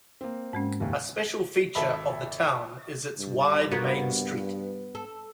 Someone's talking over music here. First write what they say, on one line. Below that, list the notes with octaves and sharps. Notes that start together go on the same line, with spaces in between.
A special feature of the town is its wide main street.
A#3 C4
G#2 G#3 C#4
F#1 D#2
G#1 A4 E5 B5
G2
A#3 B3 F#4
A4